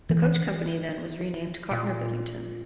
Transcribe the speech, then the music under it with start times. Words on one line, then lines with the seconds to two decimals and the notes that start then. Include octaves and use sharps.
The coach company then was renamed "Cotner-Bevington".
0.10 E3
1.71 A#2